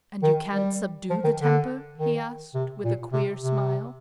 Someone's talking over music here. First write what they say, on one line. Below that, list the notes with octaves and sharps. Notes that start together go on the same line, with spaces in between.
"And you can't subdue the temper?" he asked, with a queer smile.
D#3
G3
F3
D#3
D3
D#3
C3
A#2
C3
C3